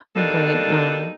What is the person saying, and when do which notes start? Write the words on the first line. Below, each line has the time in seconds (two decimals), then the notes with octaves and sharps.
but, um
0.16 B2 G3 A#3 D4 D#4 A4